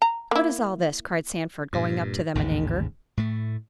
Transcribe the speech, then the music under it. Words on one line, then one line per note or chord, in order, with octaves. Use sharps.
"What is all this?" cried Sandford, going up to them in anger.
A#5
A#3 E4
G2 A#2
A1 D#2 G#2 C#3
A2 A3